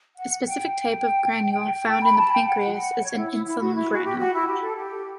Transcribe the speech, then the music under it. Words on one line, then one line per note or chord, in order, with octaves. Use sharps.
A specific type of granule found in the pancreas is an insulin granule.
F#5
G5
G5
B5
A5
G5
F#5
F#5
C#5
E4
E4
E4
F#4
E4
F#4
G4
F#4
E4
G4
A4
G4